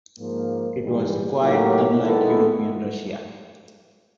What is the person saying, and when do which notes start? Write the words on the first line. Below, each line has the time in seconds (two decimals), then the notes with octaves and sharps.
It was quite unlike European Russia.
0.18 G#2 F3 A#3
0.79 G#2 E3 G3
1.40 A2 F#3 A#3 D#4 G4
2.00 D#3 G#3 B3 E4 A4